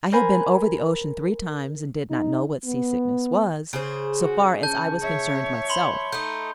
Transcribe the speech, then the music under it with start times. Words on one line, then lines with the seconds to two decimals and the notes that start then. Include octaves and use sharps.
I had been over the ocean three times and did not know what seasickness was, so far as I was concerned myself.
0.12 A#4 C5 G#5 B5
2.10 D#4
2.65 B3
3.73 C#3 G#4 C5
4.20 F#4
4.63 C#4 A5 G6
5.02 C#5 E5
5.69 B5 C6 G7
6.12 A3 D#4 G6